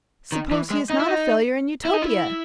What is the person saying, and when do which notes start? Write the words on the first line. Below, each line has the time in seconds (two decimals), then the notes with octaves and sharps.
Suppose he is not a failure in Utopia!...
0.32 D#3
0.51 E3
0.70 G#3
0.90 D#4
0.99 E4
1.08 D#4
1.85 E4
1.93 D#4
2.02 E4